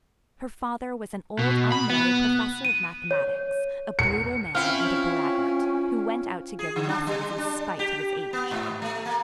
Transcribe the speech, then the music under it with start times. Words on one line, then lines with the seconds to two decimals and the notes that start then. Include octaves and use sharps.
Her father was an old unmarried professor of mathematics, a brutal man and a braggart, who went out to give lessons in spite of his age.
1.39 B2
1.72 B5
1.90 B3
2.65 D#7
3.11 C#5
3.99 C#7
4.55 C4 C#4 E4 F4 F5 G5 F6
6.59 G#4
6.76 D3
6.89 D4
7.07 G3
7.38 D4
7.79 G4
8.33 B3
8.51 G#2
8.82 A3
9.06 A#3